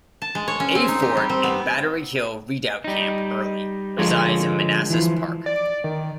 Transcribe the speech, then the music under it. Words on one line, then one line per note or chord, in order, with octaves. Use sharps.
"A" Fort and Battery Hill Redoubt-Camp Early resides in Manassas Park.
A5
G#3
C#5
C#4
C4
D#4
G4
G3
C4
B3
G3 D#4
D3 F3 G#3 A4 A#4 C#5
E3 F3
D5
D#3